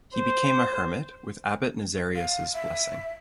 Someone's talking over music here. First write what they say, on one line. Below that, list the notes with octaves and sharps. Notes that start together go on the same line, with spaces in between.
He became a hermit with Abbot Nazarius' blessing.
C5
F5
E5